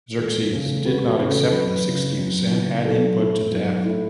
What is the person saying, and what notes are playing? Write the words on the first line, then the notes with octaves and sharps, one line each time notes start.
Xerxes did not accept this excuse, and had him put to death.
E1 A4
E2 C#3 A3 C#4 A4
E1 F#4 B4
A4
F#4 B4
E2 C#3 A3 C#4
A4
F#2 F#4 B4
C#3 E3
F#2
C#3 E3
B1 A4
A2 A3 E4
B1
A2 A3 E4